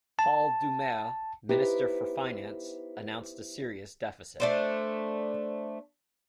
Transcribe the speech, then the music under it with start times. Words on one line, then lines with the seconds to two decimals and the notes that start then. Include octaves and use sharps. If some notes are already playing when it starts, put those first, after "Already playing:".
Paul Doumer, minister for finance, announced a serious deficit.
0.19 A5
1.49 B3 D#4 E4 G4 B4 C5
4.40 A3 D4 C5